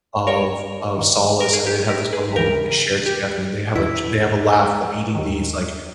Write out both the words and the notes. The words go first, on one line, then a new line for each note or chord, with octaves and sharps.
of of solace, and they have this one moment that they share together, and they have a j they have a laugh while eating these, like,
A#4 C#5
G2 D#3
A#4
G#4
G4
G4 A#4
G#4 B4
D#2 C#3 E3 G4 A#4
G4
E2 D#3 E4
D#2 D#3